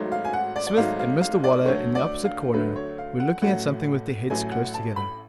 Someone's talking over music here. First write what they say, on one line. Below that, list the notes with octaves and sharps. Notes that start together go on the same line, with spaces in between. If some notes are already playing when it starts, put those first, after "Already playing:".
Psmith and Mr Waller, in the opposite corner, were looking at something with their heads close together.
Already playing: G#1 G#2 F#3 A3
F5
G#5
F#5
D5
D5
G#1 G#2 F#3 A3 F5
F5
F5
D5
D2 D3 F#3 A3 C#5
D5
F5
D2 D3 F#3 A3 B4
C#5
F5
F#5
A1 A2 F#3 A3 F#5
A1 A2 F#3 A3 G#5
F#5
A5
B5